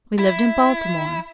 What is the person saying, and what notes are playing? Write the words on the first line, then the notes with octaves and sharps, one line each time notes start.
We lived in Baltimore.
E4